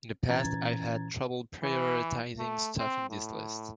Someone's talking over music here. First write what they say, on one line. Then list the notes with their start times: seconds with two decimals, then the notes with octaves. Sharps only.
In the past I've had trouble prioritizing stuff in this list.
0.29 A#2 E3 C#4 A#5 G#6 A6
1.63 E3
2.39 A3
2.78 C4
3.09 A2